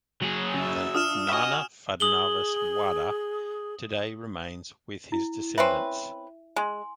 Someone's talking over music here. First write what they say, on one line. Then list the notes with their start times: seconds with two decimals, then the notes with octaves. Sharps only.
The Nana Phadnavis Wada today remains with his descendants.
0.22 F#3 G#4
0.54 C#3 E5 A6 F7
0.95 D4 F4 D#6 F6 E7
1.29 F#4 D#5 E5 F#5 G#5 C#6
2.00 G#4 D#6 F#7 G7
5.12 E4
5.58 C4 C#4 B4 E5
6.56 G#3 G#5 C6